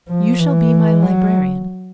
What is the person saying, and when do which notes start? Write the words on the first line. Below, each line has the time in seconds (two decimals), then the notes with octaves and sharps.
You shall be my librarian.
0.09 F3
0.39 E3
1.02 F#3